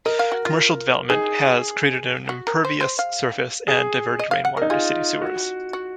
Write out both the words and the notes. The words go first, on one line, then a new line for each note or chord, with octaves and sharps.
Commercial development has created an impervious surface and diverted rainwater to city sewers.
A#4 D#5
F5
F#4
F4
D#4 G#4
F#4
A#4
C5
C5
F5
G#4
D#5
F5
F#5
D#4 A#4
F4 G#4
F#4
F#4